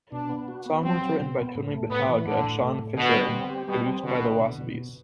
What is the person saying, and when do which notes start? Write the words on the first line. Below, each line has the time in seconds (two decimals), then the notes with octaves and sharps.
The song was written by Tony Battaglia, Shaun Fisher and produced by The Wasabees.
0.12 B2 D4
0.29 B3
0.48 F#4
0.66 B3
0.83 F#3 C4
1.01 F#3
1.19 B2
1.37 B3
1.55 A2
1.72 A3
1.90 A2 B3
2.09 E3
2.25 A2 D3
2.44 A2
2.62 A3
2.79 A2
2.97 B2 D3
3.14 G3
3.33 C4
3.50 G4
3.68 B2 G3
3.86 C4
4.03 B2 D3
4.22 D3
4.39 B2
4.58 B2
4.75 B2